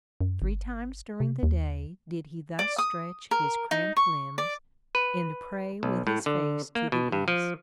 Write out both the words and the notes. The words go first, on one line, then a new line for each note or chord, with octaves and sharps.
Three times during the day did he thus stretch his cramped limbs, and pray with his face to the East.
F#2
G1
C3
D#2
D5
D#6
A#4
D#4
C#6
D5
B4
B1
A2
D3
A#3
B2
G2
F3